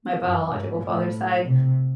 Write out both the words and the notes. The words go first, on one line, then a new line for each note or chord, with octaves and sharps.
my biological father's side.
F#2
G#2
A2
C3